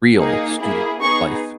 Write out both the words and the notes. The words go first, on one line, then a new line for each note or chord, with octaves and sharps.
Real student life.
A#3 D#4 G#4
A#3 E4 G#4
B3 D#4 G#4 C#6